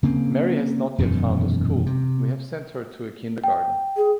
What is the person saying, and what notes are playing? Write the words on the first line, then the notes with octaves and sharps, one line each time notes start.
Mary has not yet found a school. We have sent her to a kindergarten.
C#3 A#3 C4
E1 F#2 A#2 D#3
C3
G5
G#4